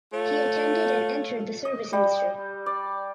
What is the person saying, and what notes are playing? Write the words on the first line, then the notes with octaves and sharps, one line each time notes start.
He attended and entered the service industry.
A3 F4 C#5
D#5
G3
D5